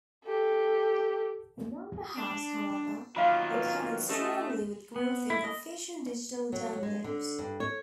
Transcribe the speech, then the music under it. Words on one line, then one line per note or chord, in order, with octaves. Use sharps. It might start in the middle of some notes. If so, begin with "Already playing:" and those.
The number has, however, recovered strongly with growth in official digital downloads.
G4 A4
D4
D#3 F#3 A#3 F4 F5 B5
B4
A3 C#4 G4 A4 D#5
B3
E4
D#5
F#3
G#3
D3
G2
C#5